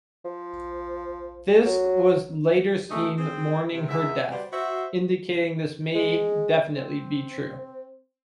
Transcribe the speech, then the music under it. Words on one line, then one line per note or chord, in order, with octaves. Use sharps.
Fisk was later seen mourning her death, indicating this may definitely be true.
F3
F#3
D2 C3 A3 A#3 D#4 G#4
C4 G#4
C3
E2 G#3 E5
G3 F#4 B4 C5 D5
F#4 C5 E5
G#3
C4